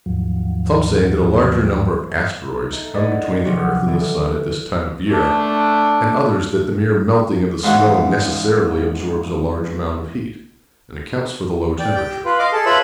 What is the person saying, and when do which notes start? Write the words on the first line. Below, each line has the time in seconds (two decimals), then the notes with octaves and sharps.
Some say that a larger number of asteroids come between the earth and the sun at this time of year, and others that the mere melting of the snow necessarily absorbs a large amount of heat, and accounts for the low temperature.
0.06 D#2 G#2 F3 F#3
2.72 A3 D#4
2.93 E4 F#4 G#4 B4 D5 D#5
3.45 C3 F3 F#3 C#4 F#4 G4
3.88 D3 E3 A3
5.08 A3 D4
7.64 G#2 C#3 E3 F#4
11.79 D5 G5
11.95 G4 G5
12.25 F4 B4
12.39 D#5 F5 C6 D6
12.53 G#4 A4 A5
12.66 F4 B4 C#5 E5 B5 E6